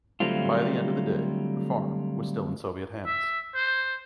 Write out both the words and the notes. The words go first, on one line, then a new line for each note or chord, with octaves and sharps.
By the end of the day the farm was still in Soviet hands.
D3 F#3 G3 A3 C4 F4
E5
C5